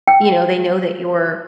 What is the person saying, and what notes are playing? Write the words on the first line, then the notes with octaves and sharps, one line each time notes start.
you know, they know that you're,
G5